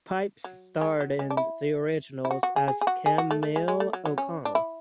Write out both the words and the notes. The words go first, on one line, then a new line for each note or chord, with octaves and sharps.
Pipes starred in "The Originals" as Camille O'Connell.
F#3
G#3
F#3
G#3
D4
E4
E4
F#4
F#4
G#4
G#4
G#4
F#4
G#4
F#4
A3
A3
G#3
G#3
A3
F#3
F#3
C#4
D4
E4